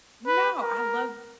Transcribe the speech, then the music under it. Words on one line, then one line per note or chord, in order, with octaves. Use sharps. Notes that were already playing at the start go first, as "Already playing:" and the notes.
No, I love
B4
A#4